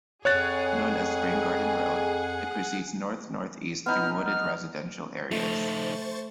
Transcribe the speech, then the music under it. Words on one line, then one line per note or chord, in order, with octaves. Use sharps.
Known as Spring Garden Road, it proceeds north-northeast through wooded residential areas.
F2 G#4 C#5 F#5 F#6 A6
B3 D#4 F6
F6
F3 A3 D#4 C5 C#6 A6